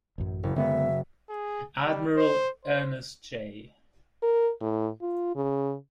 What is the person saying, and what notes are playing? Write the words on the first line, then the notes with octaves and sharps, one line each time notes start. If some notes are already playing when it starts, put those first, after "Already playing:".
Admiral Ernest J.
A1 F#2
F#1 E4
F#1 D3 G#3 B3 E5
G#4
G3
C5
C5
A#4
A2
F4
C#3